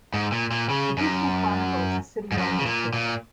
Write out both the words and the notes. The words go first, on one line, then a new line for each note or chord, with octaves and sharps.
The "Houston Chronicle" is the citywide newspaper.
G#2
A#2
A#2
C#3
F#2
G#2
F#2
C#3
A#2
A#2